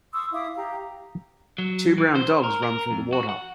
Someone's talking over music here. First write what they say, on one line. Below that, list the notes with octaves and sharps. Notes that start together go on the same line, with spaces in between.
Two brown dogs runs through the water.
C6 C#6 D#6 E6
E4 F5 D6 D#6
G4 F5 A#5
F#3
E3
C5
A#4
A#4
F2
F#4
F#5